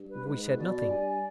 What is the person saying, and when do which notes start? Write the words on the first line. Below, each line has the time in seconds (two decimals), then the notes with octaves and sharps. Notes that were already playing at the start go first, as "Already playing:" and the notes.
"We said nothing."
Already playing: G2
0.09 B4
0.25 G#2 B4
0.41 B4
0.58 B2 D5
0.74 D5
0.90 G2 G#5
1.07 D5